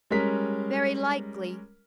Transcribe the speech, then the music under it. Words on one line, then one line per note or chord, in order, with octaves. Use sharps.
Very likely.
G3 G#3 C#4 A#4 B6